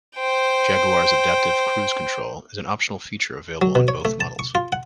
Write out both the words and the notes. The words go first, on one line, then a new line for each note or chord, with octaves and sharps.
Jaguar's Adaptive Cruise Control is an optional feature available on both models.
C5 G5
F#3
B2
C#5
A3
A5
C#6
F4
F#5